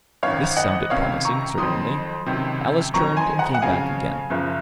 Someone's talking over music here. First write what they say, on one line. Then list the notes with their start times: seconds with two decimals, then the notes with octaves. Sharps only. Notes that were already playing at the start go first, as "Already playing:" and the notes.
This sounded promising, certainly: Alice turned and came back again.
0.23 G#1 F#2 D#3 C#5 F5
0.57 D#5 F#5
0.90 C#2 C3 D#3 C#5 F5
1.25 A#5 C#6
1.58 F2 D#3 F#3 C6 D#6
2.26 C#2 C3 D#3 F#3
2.94 F2 D#3 F#3 A#5 C#6
3.17 G#5 C6
3.39 F#5 A#5
3.55 F#5
3.62 F2 C#3 F#3 F5 G#5
4.30 F#1 F#2 C#3 F3